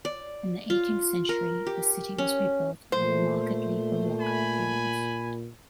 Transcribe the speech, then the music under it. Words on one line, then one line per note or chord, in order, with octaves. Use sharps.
In the eighteenth century, the city was rebuilt with a markedly Baroque appearance.
D5
F4
A#4
G4
C#4
A#2 A3 C5
G#5 B5